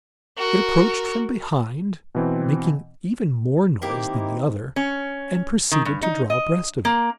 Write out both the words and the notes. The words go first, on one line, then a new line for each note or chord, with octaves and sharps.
It approached from behind, making even more noise than the other, and proceeded to draw abreast of it.
F#4 A#4
B2 E3 C4
D#3 A#3 C4 D#4 E4 G4
C#4
D#3
G2
D#4
D#5
A#3